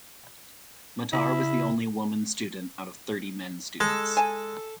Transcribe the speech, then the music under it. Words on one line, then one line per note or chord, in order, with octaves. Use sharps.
Matar was the only woman student out of thirty men students.
C#3 E4
G#3 A4
G#5 A5